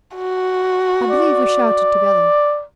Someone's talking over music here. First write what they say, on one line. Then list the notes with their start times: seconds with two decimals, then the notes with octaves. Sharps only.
I believe we shouted together.
0.16 F#4
1.11 D5